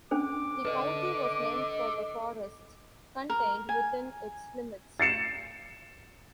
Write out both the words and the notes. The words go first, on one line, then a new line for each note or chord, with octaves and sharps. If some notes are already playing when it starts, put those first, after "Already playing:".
The county was named for the forests contained within its limits.
C#4 D4 C5 D6
A4 B4 D5 D#5
A#4
G#5
A6 C7 C#7 E7